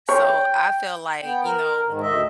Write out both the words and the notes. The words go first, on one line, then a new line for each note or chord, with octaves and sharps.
So I felt like, you know,
C#5 G5
B3 G5
A#4
G#2 D#3
D2 D#5 E5